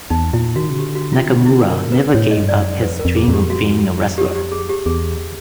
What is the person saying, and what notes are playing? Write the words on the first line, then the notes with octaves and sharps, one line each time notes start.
Nakamura never gave up his dream of being a wrestler.
E2 D#4
A#2 E4
D#3 F#4
C#3
D3 G4
F#4
F4
E4
A#4
B4
A2 C#5
D#5
G2
D5
F#2
F2 B4
A#4
F2
G#4
F2
G4
F#4
G4
G4
G#4
G4
E2 G#4